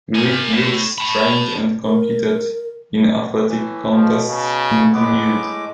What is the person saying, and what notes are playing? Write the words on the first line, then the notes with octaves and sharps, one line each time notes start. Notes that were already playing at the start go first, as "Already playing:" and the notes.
Greek youths trained and competed in athletic contests in the nude.
A#4 G#5
A2
A5 B5
A#4
A2 E3
B2 F3
C#3
A2 G#3 B3 D6